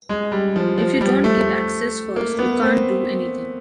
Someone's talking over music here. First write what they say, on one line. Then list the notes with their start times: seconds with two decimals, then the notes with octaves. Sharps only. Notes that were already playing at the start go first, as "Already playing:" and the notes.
If you don’t give access first, you can’t do anything.
0.09 G#3
0.32 G3
0.56 F3
0.78 F3
1.01 G3
1.24 A3
2.16 A#3
2.39 B3
2.63 C4